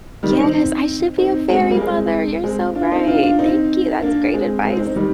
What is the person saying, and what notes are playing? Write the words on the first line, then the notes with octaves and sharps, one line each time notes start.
Yes, I should be a fairy mother, you're so right. Thank you, that's great advice.
D#3 G3
C4 D#4
C4 D#4
C4 D#4
G#3 C4
G#3 C4
G3 A#3
G#3 C4
G#3 C4
D4 F4
C4 D#4
D4 F4
D4 F4
C4 D#4
A#3 D4
G#3 C4
G#3 C4
C4 D#4
C4 D#4
D#3 G3